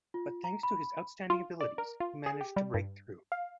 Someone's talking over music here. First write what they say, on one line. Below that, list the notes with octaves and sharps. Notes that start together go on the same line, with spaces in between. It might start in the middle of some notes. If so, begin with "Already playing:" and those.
But thanks to his outstanding abilities he managed to break through.
F4
A#5
B5
F4
D5
A#4
F4
G#4
G4
G3
G2
F5